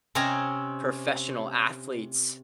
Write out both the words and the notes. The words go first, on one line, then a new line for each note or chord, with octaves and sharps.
professional athletes
C3 C4 C#4 D#5 G#5 A#5